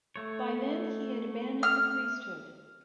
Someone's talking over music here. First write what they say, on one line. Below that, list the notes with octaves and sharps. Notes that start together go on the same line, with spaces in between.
By then, he had abandoned the priesthood.
A3 C#5
F6